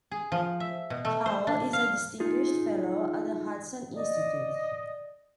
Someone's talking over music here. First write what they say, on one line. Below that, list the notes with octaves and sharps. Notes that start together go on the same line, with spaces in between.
Chao is a distinguished fellow at the Hudson Institute.
G#4
F3
E5
B2
A3
C5
D4
F5
D#4 F4 G#4
D5 D#5